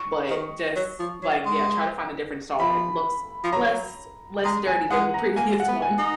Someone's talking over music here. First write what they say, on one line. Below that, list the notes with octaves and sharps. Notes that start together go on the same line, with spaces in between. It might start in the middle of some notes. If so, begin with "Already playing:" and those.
but just like, yeah, try to find a different stall that looks less less dirty than the previous one.
Already playing: C#6
D#3
F#3
F3
F#3
G#3
F3 B5
F3
F#3 A#5
G#3 A#5
G#5
G#3 F#5
A#5
A#3 G#5
F#5
B3
G#5
D#4